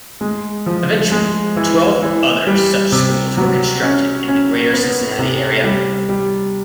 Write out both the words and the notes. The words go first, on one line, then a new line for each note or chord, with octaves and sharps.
Eventually, twelve other such schools were constructed in the Greater Cincinnati area.
G#3
F3
G#3
E3
E3
G3
C3
F#3
C#4
C#4
B3
C3
G3
G3